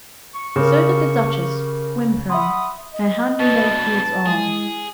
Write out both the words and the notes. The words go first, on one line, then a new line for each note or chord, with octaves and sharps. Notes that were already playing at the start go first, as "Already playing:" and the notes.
So did the Duchess, whimpering, her hand in Delafield's arm.
C#6
C#3 G4 A#4
E5 F#5 B5 C6 D#6
D#5
B2 D3 B4 A5
G#3 E4 G#4